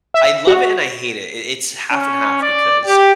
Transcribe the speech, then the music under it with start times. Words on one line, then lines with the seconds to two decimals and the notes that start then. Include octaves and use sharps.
I love it and I hate it, i it’s half and half because
0.14 E5
0.47 F#4
1.91 C#4
2.41 D5
2.83 G4